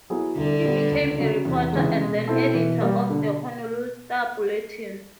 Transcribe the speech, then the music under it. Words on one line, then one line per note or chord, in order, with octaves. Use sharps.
He became a reporter and then editor of the "Honolulu Star-Bulletin".
F#3 B3 E4 G#4
C2 D3
A#2 G3 B3
C#2
C#3 F#3
E2 C3
C#3 E3 G#3
B2 G#3
C4 E4 A4
E3
G3 A#3
D3